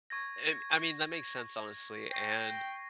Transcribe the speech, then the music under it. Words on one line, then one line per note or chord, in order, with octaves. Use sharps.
And, I mean, that makes sense, honestly, and,
C#6 G#6 A#6
G5 C#6 A#6 C7